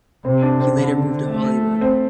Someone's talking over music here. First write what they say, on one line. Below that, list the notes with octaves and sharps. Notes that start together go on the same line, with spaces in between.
He later moved to Hollywood.
C3 C4
D4
C4
D3
A3
C4